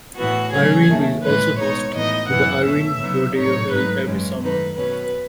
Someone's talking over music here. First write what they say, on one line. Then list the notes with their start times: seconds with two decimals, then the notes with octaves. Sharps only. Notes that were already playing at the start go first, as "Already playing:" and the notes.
Irene is also host to the Irene Rodeo, held every summer.
0.18 A2 E3 B3 F#4
0.53 C#3 F#3 A3 C#4 G#4
0.88 D#2 D#3 A3
1.24 A2 E3 G#3 C#4 B4
1.59 B2 G#3 D#4 C#5
1.95 A2 E3 B3 D#4 D#5
2.30 F#2 E3 B3 F#5
2.65 B2 A3 C#4 E5
3.00 C#3 F#3 B3 D#4
3.35 A2 F#3 A3 D#4 C#5
3.71 G#2 F#3 A3 D#4 B4
4.06 F#2 C#3 E3 G#3 C#4
4.41 F#2 D#3 A3 D#4 B4
4.77 B2 F#3 C#4 B4